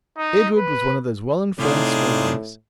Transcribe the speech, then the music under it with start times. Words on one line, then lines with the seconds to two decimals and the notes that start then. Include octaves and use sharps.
Edward was one of those well-informed small boys.
0.17 D#4
0.57 B4
1.59 A2 C3 D4 D#4 F4 G#4